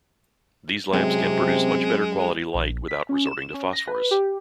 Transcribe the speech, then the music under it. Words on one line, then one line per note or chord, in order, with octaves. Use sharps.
These lamps can produce much better quality light without resorting to phosphors.
F#2 C3 G#3 C4
A#1
B6
C#4
E7
C#4
A#6
B4
G4